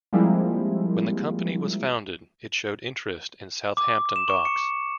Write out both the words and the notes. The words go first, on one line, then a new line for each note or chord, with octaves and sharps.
When the company was founded it showed interest in Southampton Docks.
F3 G3 G#3 A#3 C4 E4
D6
E7
C#6
C#7